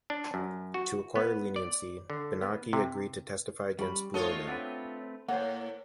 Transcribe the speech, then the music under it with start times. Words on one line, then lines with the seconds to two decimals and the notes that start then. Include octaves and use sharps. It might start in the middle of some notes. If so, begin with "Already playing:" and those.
To acquire leniency, Bianchi agreed to testify against Buono.
0.10 D4
0.34 F#2
0.74 F#4
1.16 B3
1.56 D5
2.10 D3
2.42 B3
2.73 C3
3.79 G3 C#4 B5
4.14 A3 D#4 F4 F#4 A4 C#5 D#5
4.47 A3 C4 D4 B4 F#5 G5
5.28 A2 A#3 C5 C#5 F#5